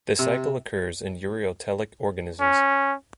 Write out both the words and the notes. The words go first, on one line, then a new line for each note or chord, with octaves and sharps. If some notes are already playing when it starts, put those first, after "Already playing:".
This cycle occurs in ureotelic organisms.
C3
C#4